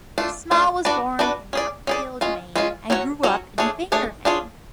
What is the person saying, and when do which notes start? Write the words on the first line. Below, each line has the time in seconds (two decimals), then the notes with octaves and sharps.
Small was born in Buckfield, Maine and grew up in Bangor, Maine.
0.18 A3 D4 F4
0.51 A3 D4 F4
0.85 D4 F#4 B4 D5
1.19 D4 F#4 B4 D5
1.53 C#4 G#4 D5
1.87 C#4 G#4 D5
2.21 G#3 C#4 F4
2.56 G#3 C#4 F4
2.90 F#3 C#4 F#4 C#5
3.23 F#3 C#4 F#4 C#5
3.58 A3 D4 G#4 C#5
3.92 A3 D4 G#4 C#5
4.25 D4 F4 G#4 C#5